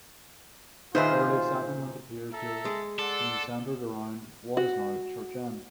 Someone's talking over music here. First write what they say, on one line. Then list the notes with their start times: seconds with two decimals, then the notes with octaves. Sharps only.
Early settlement appears to have been centred around what is now Church End.
0.95 A#2 D#3 D#4 F4 G#4 B4 C5 E5
2.33 A4 E5 A#5
2.65 G#3
2.99 A4 D5 F#5 C6
4.57 F#4